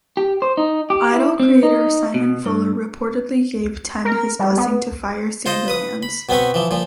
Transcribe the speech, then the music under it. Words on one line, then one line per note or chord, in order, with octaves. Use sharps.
Idol creator Simon Fuller reportedly gave Ten his blessing to fire Sandilands.
G4
C5
D#4
G4
E4
C4
D#4
B2
G2
A#4
G3
B3
F4 C5 D#5
B4 D#6
B5
B2 B3 C4 B4 C#6
E3 F3
A#2 F3